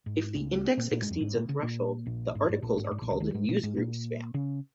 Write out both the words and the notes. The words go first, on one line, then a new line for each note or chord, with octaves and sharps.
If the index exceeds a threshold the articles are called newsgroup spam.
G#2
C#2 C#3
A#2 A#3
A#2 A#3
G#2 G#3
F2 F3
G#2 G#3
A#2 A#3
C#3 C#4
A#2 A#3
A#1 A#2
G#2
G#2
A#1 A#2
G#2
G#2
A#1 A#2
C#2 C#3
D#2 D#3
G#2 G#3
A#2 A#3
G#2 G#3
A#2 A#3
C#3 C#4